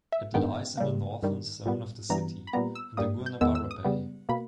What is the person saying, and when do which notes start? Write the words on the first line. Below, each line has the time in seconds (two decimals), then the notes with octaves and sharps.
It lies in the northern zone of the city, in the Guanabara Bay.
0.12 E5
0.34 G2 D#3 G#3 B3 G5
0.77 C#3 G3 A#3
1.23 G2 D#3 G3
1.66 A#2 G3 B3
2.09 G2 E3 G3 B3 A#5
2.47 B5
2.53 A#2 G3 B3 A#5
2.75 E6
2.97 G2 G3 A#3 D#6
3.26 G6
3.41 E2 D#3 G#3 B3 E6
3.55 E6
3.71 D#6
3.84 C#3 G3 B3
4.29 B2 A#3 B5